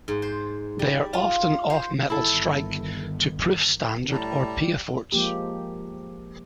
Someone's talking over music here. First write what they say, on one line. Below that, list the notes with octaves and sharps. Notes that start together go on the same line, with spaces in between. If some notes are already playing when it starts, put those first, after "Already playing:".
They are often off-metal strike, to proof standard or piedforts.
G#2
C5
G3
F4
C5
G1 D#3 E4 A4
A2 G3 E4 A5 A#5
F3 G#3 A#3 G4